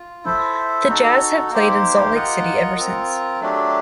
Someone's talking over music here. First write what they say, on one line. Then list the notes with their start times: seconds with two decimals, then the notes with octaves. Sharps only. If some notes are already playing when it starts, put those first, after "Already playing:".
The Jazz have played in Salt Lake City ever since.
Already playing: F4
0.24 E4 A4 C5 E5
0.88 D#4 F#4 A4
1.51 A#3 D#4 G4 C5
2.14 F4 A#4 D#5 F#5
2.77 C4 F4 A#4
3.41 F#3 A3 D4 G4